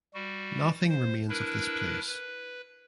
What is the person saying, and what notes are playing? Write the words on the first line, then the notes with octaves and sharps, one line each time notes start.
Nothing remains of this place.
G3 F#4
C5
D4 E4 A#4 B4
B4